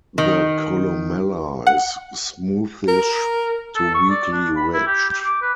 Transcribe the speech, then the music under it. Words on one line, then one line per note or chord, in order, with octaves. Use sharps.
The columella is smoothish to weakly ridged.
D#3
F#5
A#4
A4
C#6
D5
D4
B5
E4
G4
G4
D6
B4